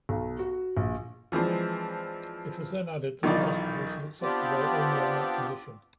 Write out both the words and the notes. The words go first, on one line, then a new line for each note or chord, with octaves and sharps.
It was then added that the hospital shall accept the boy only on that condition.
B1
F#4
A#1
E3 F3 G#3 C4 D4
B1 D#3 E3 D#4 F4 D5
B3 C4 D4 F4 G4 D5